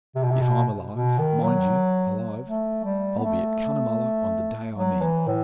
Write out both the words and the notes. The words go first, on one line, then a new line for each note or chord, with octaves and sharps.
If I'm alive--mind you, alive--I'll be at Cunnamulla on the day I mean.
C3
B2
C3
B2
B2
D#3
F#3
A3
G3
B3
A3
F#3
E3
A2